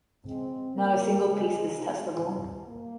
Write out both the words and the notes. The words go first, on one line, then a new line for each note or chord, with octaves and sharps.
Not a single piece is testable.
C#3 F3 G#3 C4
A#2 G3 A#3
C#3 G3 G#3
C3 D#3 G#3
C3 D#3 G3
A#3